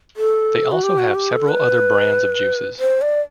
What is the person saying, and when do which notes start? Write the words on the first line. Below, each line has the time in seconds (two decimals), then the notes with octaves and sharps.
They also have several other brands of juices.
0.17 A4
0.72 F#4
0.83 G4
0.98 F#4
1.15 G4
1.32 A4
1.48 B4
2.79 C5
3.01 D5